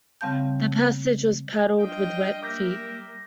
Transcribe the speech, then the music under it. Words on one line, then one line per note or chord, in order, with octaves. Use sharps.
The passage was paddled with wet feet.
C#3 G3 C4 F5 A5 G6
F3 G3 D4 D#5 F5 G5
G3 A#3 G4 A#4 E5 D6 G6 A#6